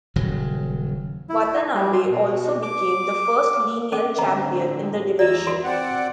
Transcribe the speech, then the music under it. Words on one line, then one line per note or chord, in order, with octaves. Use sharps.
Watanabe also became the first lineal champion in the division.
D#1 C#3 F#3
E4
G3
C6
B2
D6
C#4 D#5 D6
A2 D3 C4 D#5 A#5
E2 D5 D#5 A#5 E6
F#4 A4 C6
C4 D5 F#5